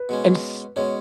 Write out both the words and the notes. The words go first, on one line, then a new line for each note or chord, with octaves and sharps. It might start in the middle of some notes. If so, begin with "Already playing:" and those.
And s
Already playing: B4
B2 G#3 C#4
B2 G#3 C#4 C#5